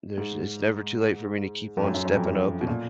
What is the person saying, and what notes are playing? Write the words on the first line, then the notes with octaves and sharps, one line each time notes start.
there's it's never too late for me to keep on stepping up, and
G#2
F2
F#2
F#2
F#2
F2
F#2
B2
A#2